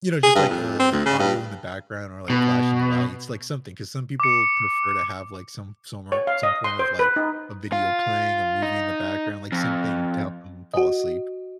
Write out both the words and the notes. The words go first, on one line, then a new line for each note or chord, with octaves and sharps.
you know, just, like, a, like, audio in the background or, like, flashing lights, like, something 'cause some people prefer to have, like, some some or some form of, like, a video playing, a movie in the background, like, something to help 'em fall asleep.
G#4
G2
F2
C4
D2
C#3
G2
B2
D6 C#7
C#5
F5
D#5
C6
C5
B4
D#4
F4
D#4
F2
F#4 D#5